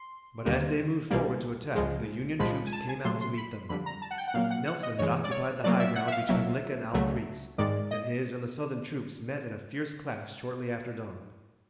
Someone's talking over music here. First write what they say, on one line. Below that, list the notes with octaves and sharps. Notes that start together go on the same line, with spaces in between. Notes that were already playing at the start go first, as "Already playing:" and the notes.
But as they moved forward to attack the Union troops came out to meet them. Nelson had occupied the high ground between Lick and Owl Creeks, and his and the Southern troops met in a fierce clash shortly after dawn.
Already playing: C6
D#2 D3 G3 A#3
C2 B2 G3 A#3
C#2 C#3 F3 G#3
C2 A#2 F3 G#3 B5
G#5
A5
G#5
A#2 F#3 A3 C6
C6
B5
F2 D3 G3 B5
A#5
A5
F#5
G5
F#5
A#2 F#3 A#3 F5
F#5
F#5
D#5
G2 E3 G#3 C#5
D5
C#5
A2 F#3 A#3 D5
E5
F#5
E5
F5
C2 B2 F#3 A#3 E5
C#2 C#3 F#3 A3
G#2 D#3 G#3 D5
D#5